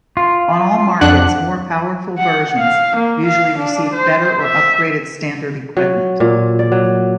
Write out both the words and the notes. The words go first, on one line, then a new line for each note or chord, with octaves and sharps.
On all markets more powerful versions usually received better or upgraded standard equipment.
F4
F2 D4 F#5 F#6
F#5
F5
A#3
F5
D4
C5
E5
F#3
A#2
D5
F#3